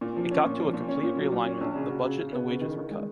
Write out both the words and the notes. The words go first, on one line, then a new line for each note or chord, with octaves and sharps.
It got to a complete realignment, the budget and the wages were cut.
A#2
F3
C#4
A#2
F3
A#2
C#4
A#2
F#3
A#2
C#4
A#1
C#3
F#4
C#3
C#3
B3
C#3
D#3
D#3
G#3